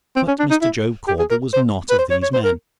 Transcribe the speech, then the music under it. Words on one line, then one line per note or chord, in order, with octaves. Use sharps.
But Mr. Job Caudle was not of these men.
C4
C#4
D4
D#4
E4
G4
G#4
A#4
C5
B4
C5
C#5
C#5
C5
A#4